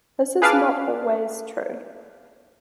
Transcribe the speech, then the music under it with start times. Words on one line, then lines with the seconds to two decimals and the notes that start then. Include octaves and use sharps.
This is not always true.
0.42 G#4 B4 F5 A5 D6 F6